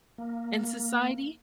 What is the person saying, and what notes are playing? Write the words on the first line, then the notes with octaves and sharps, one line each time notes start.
in society.
A#3